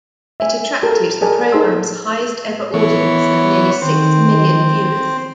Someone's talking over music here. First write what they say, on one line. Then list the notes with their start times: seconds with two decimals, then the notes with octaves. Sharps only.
It attracted the programme's highest ever audience of nearly six million viewers.
0.40 E5 G#5
0.83 G4 A4 A#4
1.21 G#4 A#4 D5 G#5 A5
1.52 D#4 G#4 A4 C5 C6 E6
2.74 E3 B3 C#5
3.82 D#3 C4